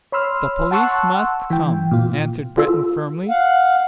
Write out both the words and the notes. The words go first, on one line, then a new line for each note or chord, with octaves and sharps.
"The police must come," answered Breton firmly.
C#5 B5 C6 E6 F6
F#5 A5 C6 C#6 E6 F#6
E3 G5
A#2 F4
F4 A4 E6
F5 F#5